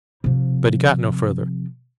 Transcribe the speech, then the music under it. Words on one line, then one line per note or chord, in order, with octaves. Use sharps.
But he got no further.
C3 F3